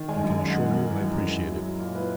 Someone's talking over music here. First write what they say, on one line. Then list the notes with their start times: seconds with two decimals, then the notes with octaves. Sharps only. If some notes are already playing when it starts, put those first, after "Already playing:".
I can assure you I appreciate it.
Already playing: D#3
0.09 G#3 G#5
0.24 F#2
0.29 G#5
0.39 G#3
0.50 F#5
0.55 G#3
0.70 F#2 A#4
0.86 E3
1.02 F#2
1.17 G#3
1.33 E4
1.49 F#3
1.64 F#3
1.79 A#2
1.95 E4 B4